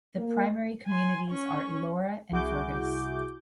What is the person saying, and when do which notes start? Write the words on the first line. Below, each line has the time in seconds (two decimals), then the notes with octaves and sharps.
The primary communities are Elora and Fergus.
0.17 A#3
0.86 G#5 C6
1.31 C#4 C#6
2.31 C2 E4 F#4 G#4 D6 G6